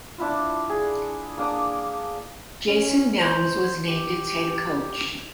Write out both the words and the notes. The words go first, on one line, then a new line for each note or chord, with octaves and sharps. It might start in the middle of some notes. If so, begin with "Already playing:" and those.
Jason Nelms was named its head coach.
D4 E4 F4
G#4
A#3 D4 D6 D#6
C#4
C5
G4